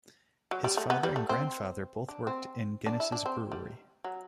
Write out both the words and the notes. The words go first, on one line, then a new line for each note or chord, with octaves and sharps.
His father and grandfather both worked in Guinness's Brewery.
F#3
G3
A3
B3
G3
A3
C4
D4
C4
D4
E4
D4
C4
G3
F#3